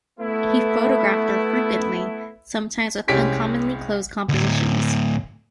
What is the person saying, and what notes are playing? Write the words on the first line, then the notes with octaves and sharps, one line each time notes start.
He photographed her frequently, sometimes with uncommonly close compositions.
A3 B3 E4
C2 G#3 C#4 G4 B6 D7
D2 A2